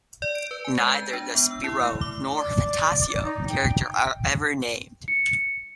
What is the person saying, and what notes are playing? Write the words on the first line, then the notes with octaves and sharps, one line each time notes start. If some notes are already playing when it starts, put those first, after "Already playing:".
Neither the "Spirou", nor the "Fantasio" character are ever named.
D5
D7
B4
G#5
G#3
G6
D4
B3
E6
E4
A3
D6
D5
D#4
G5
C#7